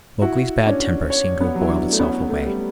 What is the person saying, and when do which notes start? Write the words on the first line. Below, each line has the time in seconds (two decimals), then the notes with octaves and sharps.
Mowgli's bad temper seemed to have boiled itself away.
0.21 E4 F#4
0.66 C#4 D4
1.10 C#5
1.41 B3
1.55 F#3
1.61 E4
1.70 D4
1.92 A3
1.99 B3 C#4
2.29 A3
2.44 G3